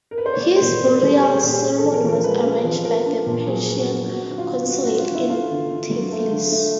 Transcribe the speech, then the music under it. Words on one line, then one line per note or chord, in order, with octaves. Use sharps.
His burial ceremony was arranged by the Persian consulate in Tiflis.
A#4
B4
C5
C#5
A#3 D5
C5
A#2
B4
A#2
A#4
G3 A4
G4
A#3
G#4
A#2 G4
C#4 G#4
A4
F3
A#4
F3 A#4
G#3 B4
C#4
F3
B3 A#4
D4
A#2
F#3 G#4
B3
F#4
D4
C4 F#4
D3 F#4
F4
D3
G3 F#4
F#4
C4
F4
D3
E4
A3 F4
D3
D3
F#3
A3
D3
A3